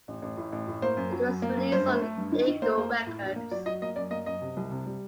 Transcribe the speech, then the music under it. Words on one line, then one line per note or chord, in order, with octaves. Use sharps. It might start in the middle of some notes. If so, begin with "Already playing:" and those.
It was released on Eagle Records.
A1
A1
A2
A1
A2
A#3 C5
F#2
F#3
F#2
A#3
F#2
G2 C5
A3
A3
G2
D#3
D#3
A#3 C5
A#3
A#3
A2
A#1
A#3
F#3 D5
F#3 D#5
A#3 D#5
F#2 D5
A#3 D#5
F#2 D#5
C3
C2
C3
G3